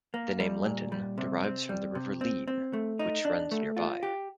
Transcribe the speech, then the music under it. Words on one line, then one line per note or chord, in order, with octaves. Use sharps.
The name "Lenton" derives from the River Leen, which runs nearby.
A#3
G3
A#2
G3
C3
C4
G3
C3
C4
C4
A3
D#4
D4
A3
F4
G4